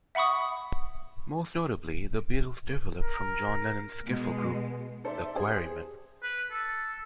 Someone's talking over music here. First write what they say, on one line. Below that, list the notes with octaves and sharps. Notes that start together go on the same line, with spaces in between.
Most notably, the Beatles developed from John Lennon's skiffle group the Quarrymen.
E5 F#5 B5 C#6 D#6
A#4
B2 G#3
D#4 A4 C5 D5 E5
G4 G#4 C5
B4
A4